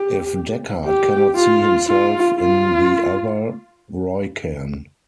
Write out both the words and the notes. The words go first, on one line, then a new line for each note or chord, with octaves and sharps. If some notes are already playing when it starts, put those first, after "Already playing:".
If Deckard cannot see himself in the other, Roy can.
Already playing: G4
G4
F4
F4
F4